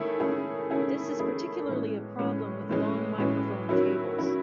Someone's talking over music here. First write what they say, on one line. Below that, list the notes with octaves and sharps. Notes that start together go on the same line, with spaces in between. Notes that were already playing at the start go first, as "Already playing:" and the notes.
This is particularly a problem with long microphone cables.
Already playing: D#3 A3 C#4 E4 G#4
D#3 A3 C#4 E4 G#4
D#3 A3 C#4 E4 G#4
D#3 A3 C#4 E4 G#4
A2 E3 G#3 C#4
A2 E3 G#3 C#4
A2 E3 G#3 C#4
A2 E3 G#3 C#4
D#3 F#3 C#4 E4
D#3 F#3 C#4 E4